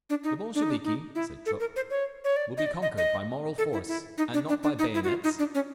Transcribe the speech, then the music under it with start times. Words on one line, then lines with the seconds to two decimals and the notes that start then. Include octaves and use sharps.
"The Bolsheviki," said Trupp, "will be conquered by moral force, and not by bayonets....."
0.10 D4
0.24 D#4
0.55 D4
0.62 D#4
0.70 D4
0.84 D#4
1.15 E4
1.46 A4
1.60 A#4
1.76 C5
1.90 C#5
2.24 C#5
2.36 D5
2.57 D#5
2.66 D5
2.82 D#5
2.98 D#5
3.58 A4
3.73 E4
3.88 E4
4.18 D#4
4.34 D4
4.49 D4
4.63 D4
4.79 D#4
4.94 E4
5.04 F#4
5.08 F4
5.24 D#4
5.39 D4
5.55 C#4